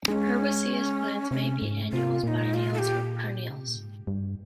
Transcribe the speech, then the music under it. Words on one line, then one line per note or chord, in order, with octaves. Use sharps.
Herbaceous plants may be annuals, biennials or perennials.
G#3 C#4 D#4
C3 C#4
G#2
C3 F4
A#2 D#4 F4
F4
A4
G4
C#3
C3
A#2
G#2
G2